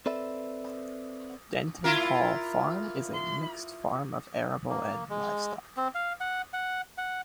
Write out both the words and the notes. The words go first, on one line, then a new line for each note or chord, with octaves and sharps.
Denton Hall Farm is a mixed farm of arable and livestock.
C4 A4 B4 D5 E5
E4 F4 A#4
A#3
G#3
C4
F5
F#5
F#5
F#5